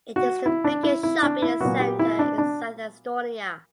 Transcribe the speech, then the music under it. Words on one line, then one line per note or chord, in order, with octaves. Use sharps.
It is the biggest shopping center in South Estonia.
F#4
E4
D4
E4
E4
D4
E4
A#2 F#3 B3 F#4
G4
E4
D4
D4